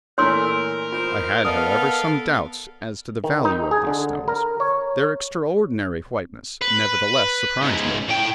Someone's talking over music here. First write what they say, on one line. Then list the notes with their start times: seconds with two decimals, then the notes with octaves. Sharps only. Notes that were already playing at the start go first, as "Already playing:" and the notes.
I had, however, some doubt as to the value of these stones; their extraordinary whiteness, nevertheless surprised me.
0.18 A#2 E3 A3 A#4 C#5 C6 E6
0.92 D#4 F4 C5
1.45 B3 A4 D5 D#5 F5 D#6
3.24 D#3
3.45 D#4
3.71 G#4
3.87 D3
4.28 A#4
4.60 C#5
6.62 B4
7.61 C#2 G#2
8.09 A2 G5